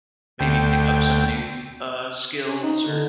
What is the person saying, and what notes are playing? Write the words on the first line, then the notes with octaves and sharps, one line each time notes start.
maybe pick up some new, uh, skills or
D2 G5
C#4
D#4
D3